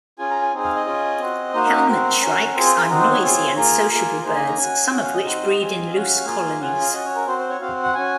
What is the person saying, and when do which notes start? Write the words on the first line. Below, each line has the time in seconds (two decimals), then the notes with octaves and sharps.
Helmetshrikes are noisy and sociable birds, some of which breed in loose colonies.
0.18 C#4 F4 G#4 G#5
0.30 A#5
0.42 G#5
0.53 C4 D#4 G#4
0.64 F5
0.76 D#5
0.86 C#4 F4 G#4
1.20 C4 F#4
1.53 A#3 D#4 F#4 C5
1.65 A#4
1.77 A#4
1.88 C4 F#4
2.21 C#4 F#4
2.54 C4 F4 G#4
2.66 C5
2.77 A#4
2.89 C4 D#4 F#4 A#4
3.00 C5
3.11 C#5
3.22 C4 F4 G#4
3.56 A#3 F4 G#4 A#4
3.90 A#3 F4 G#4
4.23 A#3 D#4 G#4 C5
4.35 G#5
4.47 A#5
4.57 C#4 F#4 G#5
4.91 C#4 F#4 F#5
5.03 F5
5.13 D#5
5.24 C4 D#4 F#4
5.58 C4 F4 G#4
5.92 C#4 F#4 F5
6.25 A#3 F4 G#4
6.59 C#4 F4 G#4 F#5
6.81 F5
6.93 C#4 F#4 D#5
7.05 C#5
7.15 A#4
7.27 C4 F#4 C5
7.38 C5
7.49 C#5
7.61 C4 F#4 F5
7.83 F#5
7.94 C#4 F#4 G#5